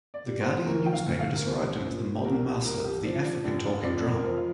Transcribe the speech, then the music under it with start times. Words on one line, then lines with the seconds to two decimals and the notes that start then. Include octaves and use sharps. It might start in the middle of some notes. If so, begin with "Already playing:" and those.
The Guardian newspaper described him as the Modern master of the African talking drum.
0.14 D5
0.26 G3
0.40 C5
0.66 D2 A#4
0.86 G5
0.93 F5
1.06 D2
1.19 F5
1.34 A#4
1.45 C2 C5
1.85 A#2
2.15 G4
2.25 C2 A#4
2.44 G4
2.65 C2 A#4
2.84 G4
3.05 F3 D4
3.25 D4
3.44 F1 D4
3.64 D4
3.84 F2 D5
4.11 A#4
4.24 F3
4.37 F4